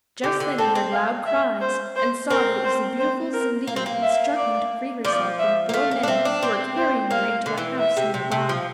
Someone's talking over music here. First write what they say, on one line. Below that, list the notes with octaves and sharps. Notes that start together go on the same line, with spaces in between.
Just then he heard loud cries, and saw that it was the beautiful Zelie struggling to free herself from four men who were carrying her into a house near by.
D3 G4
D3
C4 A4
C4
F5
E5
C5
C5
C4 A#4
C5
C5
A#4
A#3
C4
A#3
E5
D5
F3 D5
E5
A#3
A3 F5
A#3
D4
C4 E5
D4
C4 D5
C5
A#3 F5
D3
E3
E5
C3
C3
C3
F3